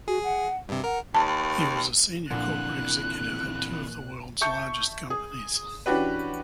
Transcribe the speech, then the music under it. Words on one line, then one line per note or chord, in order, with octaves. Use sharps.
He was a senior corporate executive at two of the world's largest companies.
F#4 G#4
F#5
G2 C3 G4
A#4 F#5
D#2 A5
F2 A#2 D3 E3 F3 F#6
E5 A5 C#6 G6 C#7
G#4
E3 C#4 D4 F#4 G4 B4